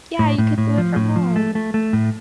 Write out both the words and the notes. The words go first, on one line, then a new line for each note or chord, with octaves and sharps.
Yeah, you could do it from home.
A2
A2
A2
F3
A2
F3
A3
A3
A3
A2